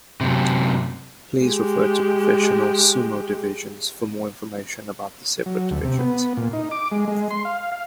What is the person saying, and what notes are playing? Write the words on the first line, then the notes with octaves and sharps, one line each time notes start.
Please refer to Professional sumo divisions for more information about the separate divisions.
F#2 C3
G#3 G4
F#3
D2
C3
B3
A#2
D#4
D6
G#3
G#3
C6
F5
F5